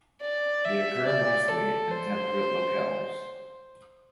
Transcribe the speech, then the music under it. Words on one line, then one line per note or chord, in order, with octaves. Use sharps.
They occur mostly in temperate locales.
D5
E5
D5
A4
C5